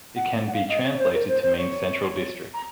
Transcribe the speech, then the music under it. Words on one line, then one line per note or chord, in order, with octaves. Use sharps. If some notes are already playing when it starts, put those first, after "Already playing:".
It can be translated to mean central district.
F#5
F#5
F5
D#5
C#5
C#5
C5
A#4
C5
C5
C#5
A#5